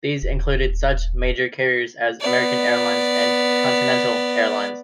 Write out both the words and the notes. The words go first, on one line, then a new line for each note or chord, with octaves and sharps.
These included such major carriers as American Airlines and Continental Airlines.
D#1
B3 D5